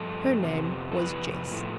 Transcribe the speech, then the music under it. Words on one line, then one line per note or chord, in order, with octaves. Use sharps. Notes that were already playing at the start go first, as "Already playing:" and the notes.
Her name was Jess.
Already playing: G2 F3 A3 A4
F2 C3 F3 B3
A4
F2 C3 E3 B3 B4
A2 F3 A3